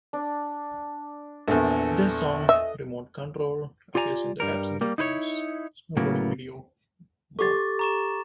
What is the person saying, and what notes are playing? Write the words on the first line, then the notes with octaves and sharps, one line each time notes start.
Their song, "Remote Control" appears in the Absinthe Films snowboarding video, "More".
D4
A#1 E2 A4 F#5
D#5 E5
F4 G4 D5 G#5 A#5
G2 G3 A#4
G3 A#3
D#4 E4 B4 C#5
A2 C#3 F#3 A#3 B3
G4 A4 C#6 D6 A6
A#5 C#6 E7